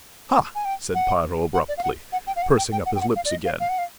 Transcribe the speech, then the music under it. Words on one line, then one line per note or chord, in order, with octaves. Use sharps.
"Ha!" said Piero, abruptly, pursing up his lips again.
G#5
G5
F#5
F#5
D5
F5
F#5
F#5
G5
F5
F#5
G5
G5
F#5
G5
F#5
F5
D5
D#5
F5
F5
F#5
F5